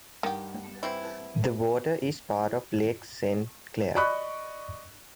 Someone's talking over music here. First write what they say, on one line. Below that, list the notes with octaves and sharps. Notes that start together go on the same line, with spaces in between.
The water is part of Lake Saint Clair.
G2 D#3 G3 G4 F#5
E3 C4 E4
D5 D#5 B5 C#6 F#6